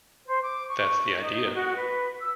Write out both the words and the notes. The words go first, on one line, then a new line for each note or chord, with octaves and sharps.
That's the idea.
C5
D6
C#6
D#4
F#4
B4
E6